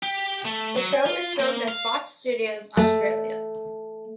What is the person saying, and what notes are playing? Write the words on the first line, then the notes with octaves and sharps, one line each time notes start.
The show is filmed at Fox Studios Australia.
G4
A3
F#3
G#5
F4
A#3
F5
A3